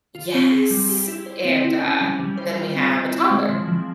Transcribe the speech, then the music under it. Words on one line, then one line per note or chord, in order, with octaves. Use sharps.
Yes, and, uh, then we have a toddler,
F4
C4
G#4
G3
G4
E4
C5
C4
E4
C#4
G3
G3
C5
F4
C4
C4
E4
G#3
F3
F3